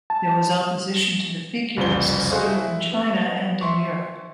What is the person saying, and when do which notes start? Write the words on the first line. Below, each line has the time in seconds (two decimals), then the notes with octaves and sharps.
There was opposition to the Figurists both in China and in Europe.
0.10 A5
1.77 F#1 C2 F2 C5 G7
2.31 F#4 G#4 A4 C5 D#5 F5
2.48 E4
2.92 B3
3.61 E5 C6 C#6